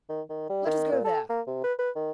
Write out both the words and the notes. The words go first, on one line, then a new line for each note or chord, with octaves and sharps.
Let us go there!
D#3
D#3
G3
D#3
A#2
A4
A#3
C3
B4
B4
D#3